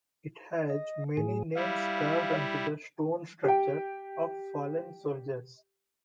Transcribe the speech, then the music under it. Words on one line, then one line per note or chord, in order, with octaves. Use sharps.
It has many names carved onto the stone structure, of fallen soldiers.
D#5
A2 G#4
G3 E4 F5
G4 G5